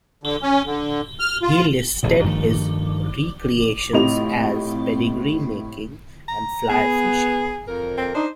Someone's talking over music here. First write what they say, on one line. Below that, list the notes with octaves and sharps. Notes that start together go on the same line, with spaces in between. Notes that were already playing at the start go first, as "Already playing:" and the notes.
He listed his recreations as pedigree making and fly fishing.
D3
C#4
D3
F6
F4
D1 A1 B2
G2 D#3 F3 A3
A2 C3 F4 D#5 F7
A#5
B3 G#4
F2 A#4
C4
D4 D#4 C5